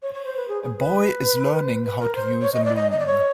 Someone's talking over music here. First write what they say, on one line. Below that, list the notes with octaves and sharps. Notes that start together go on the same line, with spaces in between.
A boy is learning how to use a loom.
C#5
C#5
C5
B4
G#4
G#4
B4
B4
A#4
C5
C#5
D#5
D5
D#5
D#5
D5
C#5